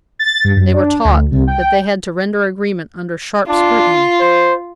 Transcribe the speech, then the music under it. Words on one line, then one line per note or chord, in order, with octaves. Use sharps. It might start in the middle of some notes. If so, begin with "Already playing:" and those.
They were taught that they had to render agreement under sharp scrutiny.
A6
G2
F#2
D4
D2
C2
G5
D4 F4
C5